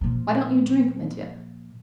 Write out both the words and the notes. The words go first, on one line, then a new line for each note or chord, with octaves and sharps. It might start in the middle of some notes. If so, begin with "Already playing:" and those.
Why don't you drink, Mitya?
A#2 F3